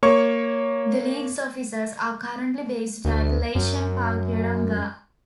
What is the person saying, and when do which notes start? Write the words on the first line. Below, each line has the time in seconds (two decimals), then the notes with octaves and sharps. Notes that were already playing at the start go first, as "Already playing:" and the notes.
The league's offices are currently based at Leyshon Park Yeronga.
0.03 A#3 C#5 C#6
3.05 D2
3.55 F#2